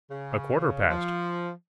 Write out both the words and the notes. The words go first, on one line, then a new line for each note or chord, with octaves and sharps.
A quarter past.
C#3
F3